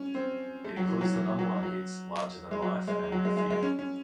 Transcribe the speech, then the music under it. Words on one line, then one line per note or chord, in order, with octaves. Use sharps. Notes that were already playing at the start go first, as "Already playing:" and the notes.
It includes the number-one hits: "Larger Than Life" and "The Fear".
Already playing: C#4
C4
A3
F#3
E3
F#3
E3
F#3
F#3
G#3
F#3
G#3
F#3
G#3
G#3
G#3
C#4
C#4